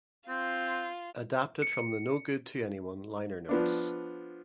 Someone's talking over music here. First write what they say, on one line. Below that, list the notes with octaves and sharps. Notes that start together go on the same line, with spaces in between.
Adapted from the "No Good to Anyone" liner notes.
C4 F4
C#7
F3 B3 D4